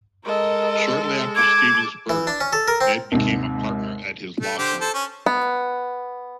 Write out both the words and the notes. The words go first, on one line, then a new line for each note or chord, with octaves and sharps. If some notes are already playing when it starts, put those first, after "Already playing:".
Shortly after Steven's birth, Ned became a partner at his law firm.
G#3 A4 A#4 D#5
A5 D6 G#6
E3
D4
C#4
A4
A#4
C4
D#2 G#2 C3
A3
D3 G4 C5
A4 C5
C#4
B3